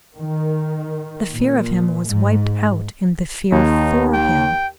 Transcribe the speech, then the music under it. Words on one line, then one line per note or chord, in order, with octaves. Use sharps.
The fear of him was wiped out in the fear for him.
D#3
A#2
G#2
D#2 D#4
G5